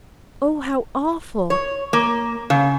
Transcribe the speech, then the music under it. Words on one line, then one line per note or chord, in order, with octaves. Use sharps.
Oh, how awful!
C#5
A#3
C#3